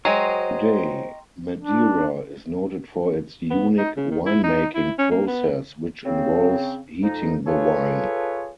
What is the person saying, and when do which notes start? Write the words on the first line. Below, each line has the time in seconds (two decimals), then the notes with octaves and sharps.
Today, Madeira is noted for its unique winemaking process which involves heating the wine.
0.05 F#3 G#3 C5 D#5 G5 A#5 C6 C#6
1.60 D4
3.50 B3
3.78 D#4
3.97 C#3
4.11 D#3
4.26 E4
4.43 D#4
4.75 E4
4.98 C#4
5.11 A#3
5.27 B3
6.05 C#3 C4
7.03 F2 D#4
7.47 F4 G#4 A4 B4 C#5